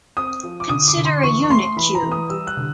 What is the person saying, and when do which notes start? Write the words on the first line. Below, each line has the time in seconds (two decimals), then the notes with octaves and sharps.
Consider a unit cube.
0.17 C4 D#6
0.43 F3
0.60 D6
0.69 D3 D#6
0.88 D6
0.97 D3
1.05 C6
1.23 E3 C#6
1.43 C#6
1.49 A3 C6
1.76 E3 B5
1.95 A#5
2.03 E3
2.12 D#6
2.30 G3 E6
2.47 F#6
2.57 D3